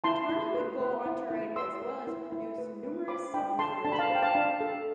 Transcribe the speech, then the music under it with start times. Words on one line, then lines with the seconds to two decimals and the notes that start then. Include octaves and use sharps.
Tarney would go on to write as well as produce numerous songs for Richard.
0.04 E4 A5 C6
0.29 E4
0.55 B4
0.81 B4
1.06 E4
1.30 E4
1.56 B4 C6 E6
1.82 B4
2.07 E4
2.32 E4
2.58 B4
2.83 B4
3.08 C5 B5 D6
3.34 D4 G5 B5
3.59 A4 A5 C6
3.85 D4 A5
3.92 B5
3.99 F5 A5
4.10 C5
4.15 G5
4.22 F5 A5
4.35 D4
4.61 A4